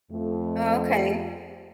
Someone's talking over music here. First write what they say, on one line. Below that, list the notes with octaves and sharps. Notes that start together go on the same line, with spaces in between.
Oh, okay.
F2 A3